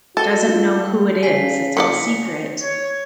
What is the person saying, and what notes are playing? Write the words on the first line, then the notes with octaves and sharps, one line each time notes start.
doesn't know who it is, it's all secret,
F#4 A4 A5 G7
F4
G3
C#3 G#5 B6 C7
A#3 E4 D5 C#7
C#5